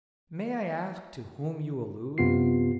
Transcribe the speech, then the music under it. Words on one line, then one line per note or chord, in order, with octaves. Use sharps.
May I ask to whom you allude?
F#2 C3 B3 F4 C7